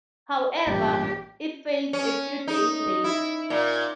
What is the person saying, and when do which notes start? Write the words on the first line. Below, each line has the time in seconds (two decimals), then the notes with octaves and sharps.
However, it failed a few days later.
0.67 A1 G2 A#2 G4
1.93 C#4
2.48 D#4
3.04 E4
3.50 A#2